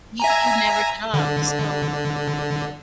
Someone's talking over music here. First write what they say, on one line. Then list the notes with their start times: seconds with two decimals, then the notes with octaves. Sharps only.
you you never get off. So
0.20 E5 G#5 A#5
1.14 D3